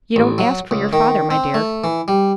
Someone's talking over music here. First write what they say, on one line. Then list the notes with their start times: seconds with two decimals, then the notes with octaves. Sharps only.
"You don't ask for your father, my dear."
0.16 A1
0.38 F#3
0.71 C#2
0.93 D#3
1.30 C4
1.54 A3
1.84 E3
2.08 G3